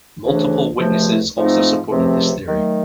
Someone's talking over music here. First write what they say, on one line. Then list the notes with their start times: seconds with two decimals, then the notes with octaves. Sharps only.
Multiple witnesses also supported this theory.
0.25 D2 C#3 E3 A3 D4
0.79 C#2 C3 F3 A3
1.35 G#2 F3 A3 C4 D#4
1.90 C#2 C3 F3 A3 C4
2.46 D#3 F#3 A3